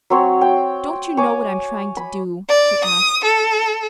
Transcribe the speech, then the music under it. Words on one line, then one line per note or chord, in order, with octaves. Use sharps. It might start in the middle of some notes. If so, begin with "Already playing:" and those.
"Don't you know what I'm trying to do?" she asked.
F#3 C4 C#5
G5
C#5 G#5 D6
B5
D5
D#6
A4